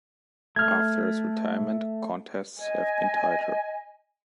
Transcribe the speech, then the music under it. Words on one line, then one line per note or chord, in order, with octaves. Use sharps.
After his retirement, contests have been tighter.
A3 F6 G#6
D#5 G#5